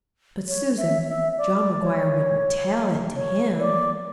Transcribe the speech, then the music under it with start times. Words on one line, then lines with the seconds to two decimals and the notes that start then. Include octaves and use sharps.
But Susan, John McGuire wouldn't TELL it to HIM.
0.48 C#5
0.78 E5
1.08 E5
1.38 D5
1.82 C#5
3.15 C#5
3.59 D5